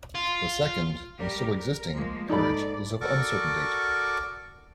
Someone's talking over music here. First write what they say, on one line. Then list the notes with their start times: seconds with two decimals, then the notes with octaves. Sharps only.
The second, and still existing, peerage is of uncertain date.
0.15 F4
1.19 G3 G4 A#4
1.56 A#4
1.96 F3 G#3 A#3
2.29 G#2 D#4 A4 D5 B5
3.01 F#4 A4 A#4 D5 C#6 D6